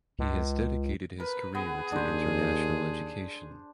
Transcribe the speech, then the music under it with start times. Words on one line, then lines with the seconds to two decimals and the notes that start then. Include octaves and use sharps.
He has dedicated his career to international education.
0.19 C#2
1.20 A#4 B4
1.55 B3 G#4
1.92 D#2 D4 C5